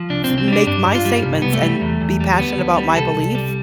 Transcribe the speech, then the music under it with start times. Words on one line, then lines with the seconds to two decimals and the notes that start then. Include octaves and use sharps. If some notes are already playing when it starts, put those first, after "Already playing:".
f make my statements and be passionate about my belief,
Already playing: F3
0.10 C2 D4
0.24 C4
0.29 C2
0.38 C4
0.48 G3 D4
0.67 G2 D4
0.86 G2
0.95 F4
1.05 G3
1.25 C2
1.42 C2 B3
1.53 A3
1.63 G3
1.81 E2
2.01 E2
2.20 G3
2.39 D2 B3
2.58 D2
2.77 G3
2.96 C2 A4
3.15 C2
3.35 G3